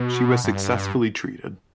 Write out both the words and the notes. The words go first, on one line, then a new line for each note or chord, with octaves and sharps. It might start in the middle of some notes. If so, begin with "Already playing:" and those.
She was successfully treated.
Already playing: B2
G2